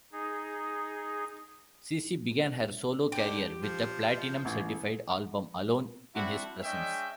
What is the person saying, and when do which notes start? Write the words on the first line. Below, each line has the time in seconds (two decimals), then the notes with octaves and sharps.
CeCe began her solo career with the Platinum certified album "Alone in His Presence".
0.12 D#4 G#4
3.12 D3 G4 D7
3.62 F3
4.45 A1
6.15 C4 D4 E4 F#4 E5 F#5
6.63 G#3 C#4 D4 D#5 E5 G5